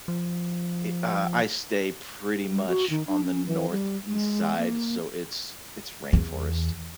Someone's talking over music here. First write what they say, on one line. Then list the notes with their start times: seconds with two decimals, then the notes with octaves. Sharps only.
it uh, I stay pretty much on the northeast side, so it's it's rainforest.
0.08 F3
2.50 G3
2.68 F#4
2.90 D#3
3.08 D4
3.24 C#4
3.46 E3
3.70 G3
4.09 G#3
4.58 A#3
6.13 E2